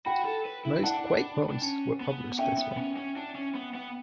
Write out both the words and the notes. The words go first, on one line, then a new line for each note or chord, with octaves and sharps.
Most "Quake" mods were published this way.
F#4 G5 B5
A4
B4
E4
D4 F#5 A5
D4
C#4
B3
C#4 E5 G5
B3
B3
C#4
C#4
D4
C#4
B3
B3